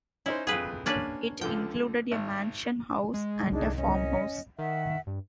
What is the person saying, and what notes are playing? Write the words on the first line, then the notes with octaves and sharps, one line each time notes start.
It included a mansion house and a farmhouse.
C#4 D#4 E4 C5
A#1 F2 G#4 B4
A#3 C#4 D4 B4 C#5
C#2 D3 F3 G5
G#1
G#3
C2 D4 D#4 G#4
C#4 D#5
D#3 E5 F#5
G2